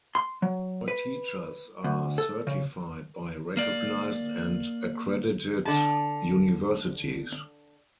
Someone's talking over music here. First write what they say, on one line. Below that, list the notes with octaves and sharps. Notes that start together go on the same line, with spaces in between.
All teachers are certified by recognized and accredited universities.
C6
F#3
B4
D2
A4
C#3
A#3 D5
D3 A5